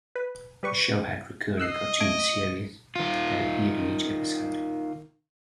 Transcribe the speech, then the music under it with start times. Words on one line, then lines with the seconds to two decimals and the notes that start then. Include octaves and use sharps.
The show had recurring cartoon series that appeared in each episode.
0.15 B4
0.63 G3 B4 C#6
1.59 D#5 E6 F#6 C7
2.00 A3 G#6 D7
2.96 D#3 F4